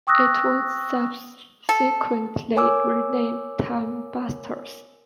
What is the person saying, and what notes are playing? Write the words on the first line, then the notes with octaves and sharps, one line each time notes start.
It was subsequently renamed "TimeBusters".
G5 C#6 D#6 E6 F#6 A#6
A4
A#4 C#5 G#5 D6 E6